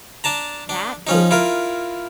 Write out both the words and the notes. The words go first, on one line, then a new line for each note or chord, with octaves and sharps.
That is
D4 A5 A#5
D4
F3 C#4 D#4
E4 F4 A#4